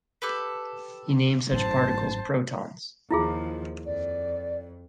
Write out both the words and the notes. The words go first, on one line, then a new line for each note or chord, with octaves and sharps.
He named such particles protons.
G4 A4 B4
G#1 F#2 A2 C5 A5
D#2 F3 E4 F4 G#4
F2 D5